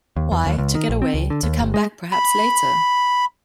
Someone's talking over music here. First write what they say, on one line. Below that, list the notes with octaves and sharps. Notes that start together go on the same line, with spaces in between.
Why, to get away — to come back perhaps later.
D#2
E2
D#2
C#2
D#3
A#1
C4
C#2
D3
D#2
G1
G#3
B5